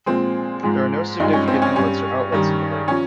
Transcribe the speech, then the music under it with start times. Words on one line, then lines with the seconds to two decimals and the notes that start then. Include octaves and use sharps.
There are no significant inlets or outlets in the lake.
0.06 A#2 F3 G#3 C4
0.63 G#2 F3 G#3
1.20 G2 F3 G#3 D#4
1.33 C#4
1.48 C4
1.62 C#4
1.76 G2 G3 C#4
2.32 G2 D#3 G3
2.88 F3 C#4